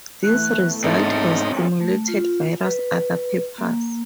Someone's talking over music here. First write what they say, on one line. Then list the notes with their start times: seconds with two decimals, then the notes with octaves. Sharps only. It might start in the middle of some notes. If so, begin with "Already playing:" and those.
This result has stimulated various other papers.
0.23 E3 A3 B3 F#6
0.84 E2 G#2 C3 D#4 A4
1.81 A3
2.08 F4
2.64 B4
3.58 A#3